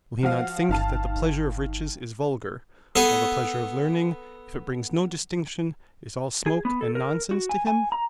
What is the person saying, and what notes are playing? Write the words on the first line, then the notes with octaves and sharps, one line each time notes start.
Will he not think that the pleasure of riches is vulgar, while the pleasure of learning, if it brings no distinction, is all smoke and nonsense to him?
F3 F#4 F5
G1 D#3 F5 A5
B3 G#4 A4
G#4
B3
A4
A#4
F#4
G#5
G#5
A#5